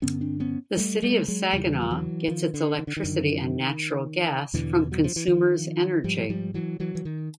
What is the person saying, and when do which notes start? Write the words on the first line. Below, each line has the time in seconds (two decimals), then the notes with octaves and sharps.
The City of Saginaw gets its electricity and natural gas from Consumers Energy.
0.02 G2 D3 B3 C#4
0.21 C4 D4
0.40 B3 C#4
0.77 G3 A3
1.02 G3 A3
1.28 F#3 G#3
1.53 E2 C#3 F3 G3
1.64 D#3
1.73 E3
1.82 F3
1.91 E3 F#3
2.28 D#3 F3
2.54 D3
2.79 D#3
2.87 D3
2.97 D#3
3.03 F#2 D3
4.54 E2 B2 D3 E3
4.92 F#3
5.04 F3
5.16 E3
5.28 D#3 F3
6.04 G#2 F3 G3
6.30 F3 G3
6.54 E3 F#3
6.80 E3 F#3
6.95 E3
7.05 D#3